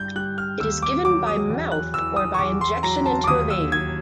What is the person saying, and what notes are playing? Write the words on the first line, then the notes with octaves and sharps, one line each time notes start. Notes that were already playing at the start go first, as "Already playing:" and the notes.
It is given by mouth or by injection into a vein.
Already playing: G2 G6
G3 F#6
F6
D#2 E6
D6
F#3 D6
D#6
E2
F#6
E3 E6
D#6
C#6
E2 D6
C6
F#3 A#5
A5
D6
D#2 D#6
E6
F#3 G#6